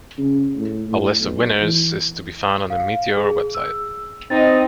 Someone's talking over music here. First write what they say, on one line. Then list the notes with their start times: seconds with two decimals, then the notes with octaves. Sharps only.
A list of winners is to be found on the Meteor website.
0.18 C#3
0.57 A2
0.89 A2
1.20 B1
1.61 E3
2.70 F5
3.17 G#4
3.55 E6
4.30 C4 D#4 D#5 A6